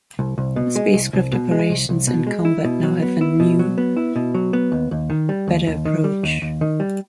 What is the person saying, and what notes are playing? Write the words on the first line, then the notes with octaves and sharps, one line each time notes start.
Spacecraft operations and combat now have an new better approach.
C2
C2
B2
G#3
C2
C2
B2
G#3
C2
C2
B2
G#3
E4
B2
F#3
B3
E4
B2
F#3
B3
E4
B2
F#3
B3
D#2
D#2
D#3
G3
D#2
D#2
D#3
G3
D#2
D#2
D#3
G3